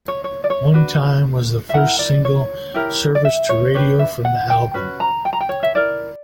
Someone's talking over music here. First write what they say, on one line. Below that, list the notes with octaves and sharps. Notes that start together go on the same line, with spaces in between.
"One Time" was the first single serviced to radio from the album.
C#5
C#5
D5
C#5
D4 F#4 B4
E5
E4 A#4 F#5
D5
C#5
E4 G4 A#4
D5
E5
C#5
D4 G4 B4 C#5
E5
F#5
G5
C#4 F#4 B4
A#5
G5
A#5
G5
C#5
E5
E4 A#4 D5